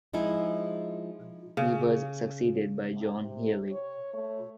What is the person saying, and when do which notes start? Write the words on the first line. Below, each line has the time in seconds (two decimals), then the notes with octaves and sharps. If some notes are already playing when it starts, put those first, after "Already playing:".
He was succeeded by John Healey.
0.13 F3 G#3 D#4 E4
1.57 C#3
3.21 C3
3.71 C#5
4.14 A3